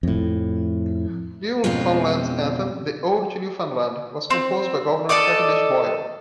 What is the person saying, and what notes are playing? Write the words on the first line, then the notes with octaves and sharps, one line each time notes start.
Newfoundland's anthem "The Ode to Newfoundland", was composed by Governor Cavendish Boyle.
F2 A2
F2 B2 G#3 C4 C#4 F4
C4
A4 D5 D#5 D6